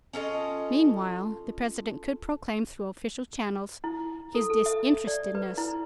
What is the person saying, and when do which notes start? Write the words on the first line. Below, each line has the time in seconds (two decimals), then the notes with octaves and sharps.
Meanwhile the President could proclaim through official channels his disinterestedness.
0.13 C#4 F4 A4 D#5
3.84 E4
4.35 A4
4.50 A4
4.66 E5
5.07 D5
5.35 B4
5.58 E4